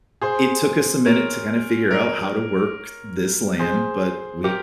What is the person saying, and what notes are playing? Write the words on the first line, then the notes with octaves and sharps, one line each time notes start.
it took us a minute to kinda figure out how to work this land, but we
G#4 C5
A#4 C#5
A#4 C#5
G#4 C5
G4 A#4